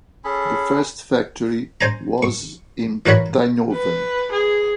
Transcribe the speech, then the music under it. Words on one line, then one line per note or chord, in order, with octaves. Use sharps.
The first factory was in Tienhoven.
C#4 G#4 A4 B5
C5 G#5 A#5
C#6
E3 F#4 A#4 C#5 B5
B4
G#4